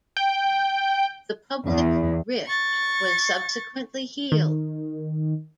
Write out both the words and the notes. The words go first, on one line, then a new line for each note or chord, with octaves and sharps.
The public rift was subsequently healed.
G5
E2
C#6 A6
D#3